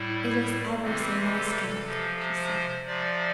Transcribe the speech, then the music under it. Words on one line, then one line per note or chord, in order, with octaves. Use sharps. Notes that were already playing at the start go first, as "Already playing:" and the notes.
"It is ever so nice, Kadok," she said.
Already playing: A2 G3 E4
C3 E3 G3 C4
A4
C3 F3
C5
C3 F3 D5